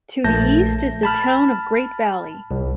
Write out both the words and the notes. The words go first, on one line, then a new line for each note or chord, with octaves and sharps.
To the east is the town of Great Valley.
A#1 A3 A5 G6 A#6
A5 B5 F6
C2